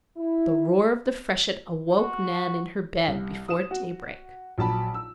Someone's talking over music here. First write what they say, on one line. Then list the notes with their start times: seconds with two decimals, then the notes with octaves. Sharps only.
The roar of the freshet awoke Nan in her bed before daybreak.
0.17 E4
1.97 F#4
3.07 C2
3.48 D#6 E7
3.71 F#4
4.58 A#1 F#3 A5 B5
4.94 E6